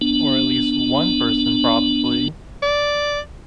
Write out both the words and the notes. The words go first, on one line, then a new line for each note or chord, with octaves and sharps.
or at least one person probably,
B3 D4
D5